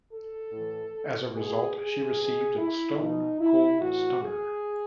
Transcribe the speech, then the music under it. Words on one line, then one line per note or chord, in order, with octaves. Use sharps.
As a result she received a Stone Cold Stunner.
A4
A2 E3
B2 G#4
G#4
B2
E4
B2 D#4
E4
A2 E3 F#4
G#4